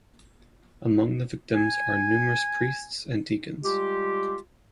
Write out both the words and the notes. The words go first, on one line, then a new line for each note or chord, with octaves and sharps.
Among the victims are numerous priests and deacons.
G#5
G3 G#3 F4 G4